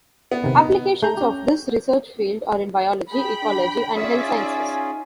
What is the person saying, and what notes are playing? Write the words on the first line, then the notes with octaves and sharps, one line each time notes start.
Applications of this research field are in biology, ecology and health sciences.
B3
C3 D#3
D#4 D#5
A3 A#5 G6
C#4 G4
G#4 G5 B5
D4
C#4 F4 G#4 D5 E5 B6 C#7
D#4 G#5